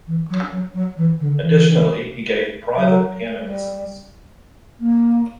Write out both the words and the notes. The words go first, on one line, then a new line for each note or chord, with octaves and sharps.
Additionally he gave private piano lessons.
E3
F#3
F#3
F#3
E3
D3
E3
F#3
G3
A#3